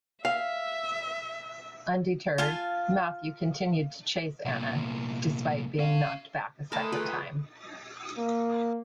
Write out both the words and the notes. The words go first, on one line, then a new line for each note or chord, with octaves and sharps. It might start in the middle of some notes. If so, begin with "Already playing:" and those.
Undeterred, Matthew continued to chase Anna despite being knocked back a second time.
E5 F5
F4 F5 G#5 A5
C2 A#2
C#4 F5
E3 G#3 A3 D#4 A#4 A5
F4 G#4 B4
A#3